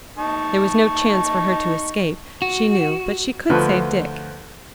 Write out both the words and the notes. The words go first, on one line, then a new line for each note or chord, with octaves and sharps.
There was no chance for her to escape, she knew, but she could save Dick.
D#4 A5 C#6
F#4
D2 F3 B4